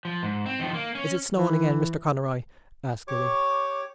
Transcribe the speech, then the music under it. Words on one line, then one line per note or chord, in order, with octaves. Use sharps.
"Is it snowing again, Mr. Conroy?" asked Lily.
F3
G#2
C4
D#3 F3
A#3
C#4
E3
G4 C#5 C#6 D6